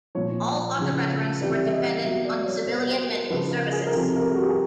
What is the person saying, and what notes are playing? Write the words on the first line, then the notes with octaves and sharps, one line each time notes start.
All other veterans were dependent on civilian medical services.
A#2 F3 C#5
C#3 F3
C3 E3 G3 D5
E5
D#5
B2 F#3 E5
D5
D5
C#5
B2 G3 C5
C5
A#4
C#3 F3 B4
A#4
G#4
A#4
C3 F3 A4
A#4
A4
F#4
G4
G#4